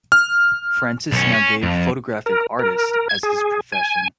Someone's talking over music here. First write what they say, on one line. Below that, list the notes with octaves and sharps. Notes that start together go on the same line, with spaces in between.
Francis now gave 'Photographic Artist' as his profession.
F6
B1 C#4
C#4
F2
A#4
A#4
G#6
G#4
G#5